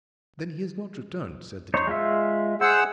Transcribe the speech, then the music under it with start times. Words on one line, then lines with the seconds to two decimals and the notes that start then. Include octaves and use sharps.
"Then he has not returned?" said the duke.
1.74 D#4 C5 C#5
1.87 G#3 F4 E5
2.61 G#4 C5 F#5 E6